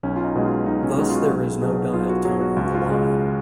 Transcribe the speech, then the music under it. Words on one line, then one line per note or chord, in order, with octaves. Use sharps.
Thus there is no dial tone on the line.
B1 C#4
F4
D#4
B2 G#3
F4
B1 D#4
C#4
B2 G#3 D#4
F4
F#4
B1 G#4
B2 F#3 G#4
B1 F4
F#4
B2 F#3 G#4
F#4
C#2 F4
F#4
F4
C#3 G#3